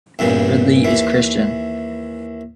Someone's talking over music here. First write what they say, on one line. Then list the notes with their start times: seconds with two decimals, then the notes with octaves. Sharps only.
Ridley is Christian.
0.19 E2 G2 A#2 C#3
0.84 D#2 E3